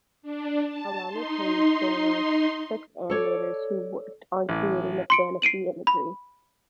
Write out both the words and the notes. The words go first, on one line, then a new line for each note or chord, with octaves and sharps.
Along with Hayes, there were six animators who worked on creating the fantasy imagery.
D4
A5
D#4 C6
A4 C#5 D5
A1
C6 C#7 D7
C7 D7 D#7 F#7
B5